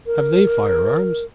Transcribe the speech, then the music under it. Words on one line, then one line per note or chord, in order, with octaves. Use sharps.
"Have they fire-arms?"
A#4